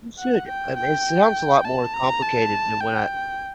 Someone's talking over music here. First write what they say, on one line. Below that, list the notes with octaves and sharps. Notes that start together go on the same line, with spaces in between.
You should, I mean, it sounds a lot more complicated than what I
F#5
G5
G5
A5
A#5
A5
G5